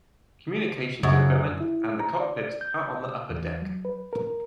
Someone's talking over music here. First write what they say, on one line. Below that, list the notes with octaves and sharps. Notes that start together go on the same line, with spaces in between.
Communications equipment and the cockpit are on the upper deck.
F#2 C#3
E4
A#5
D5
G6
E2
F#3
B4
A#4